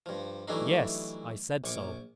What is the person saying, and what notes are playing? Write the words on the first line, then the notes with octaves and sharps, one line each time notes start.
"Yes, I said so."
G2 F3
E3 F#3 G3 A3 D4 D#4
A#1 C#6 D6